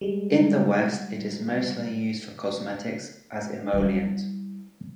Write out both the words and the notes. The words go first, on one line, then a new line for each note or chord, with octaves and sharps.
In the West it is mostly used for cosmetics as emollient.
G3 G#3
G3 E4